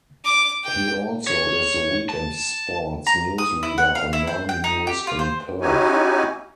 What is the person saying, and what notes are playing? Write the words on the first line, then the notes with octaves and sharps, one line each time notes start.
He also is the weekend sports newsreader on Nine News in Perth.
D6
G5
C#5
A5
A#5
D#6
E4
F#5
F5
E4
C5
G5
D#4
G4
F4
C5
C#4 D#4 E4 F#4 G4 G#5